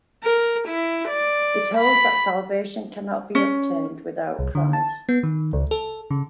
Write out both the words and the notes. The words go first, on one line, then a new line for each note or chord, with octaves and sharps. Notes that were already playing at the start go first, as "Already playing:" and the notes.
It holds that salvation cannot be obtained without Christ.
A#4
E4
D5
B5
C#4
C2
D3
A5
B3
D#3
C#2
A4
C#3